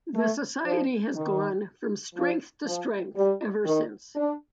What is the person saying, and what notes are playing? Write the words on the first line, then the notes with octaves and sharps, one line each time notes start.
The society has gone from strength to strength ever since.
A3
F3
D#3
F3
F3
G3
D#3
D4